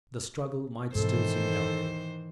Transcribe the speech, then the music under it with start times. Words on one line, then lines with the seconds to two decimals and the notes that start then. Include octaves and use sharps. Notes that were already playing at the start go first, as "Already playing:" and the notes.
The struggle might still seem doubtful.
0.95 G#2 B2 D#3 E3 A4 C5